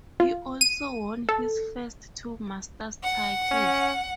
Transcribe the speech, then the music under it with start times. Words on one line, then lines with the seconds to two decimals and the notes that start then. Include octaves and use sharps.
He also won his first two Masters titles.
0.20 F4
0.61 D#7
1.29 A4
3.03 F#5
3.51 C#4